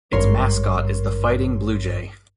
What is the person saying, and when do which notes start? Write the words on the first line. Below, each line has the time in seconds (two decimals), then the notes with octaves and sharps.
Its mascot is the Fighting Bluejay.
0.13 G#1 G2 A#4 C#5 C6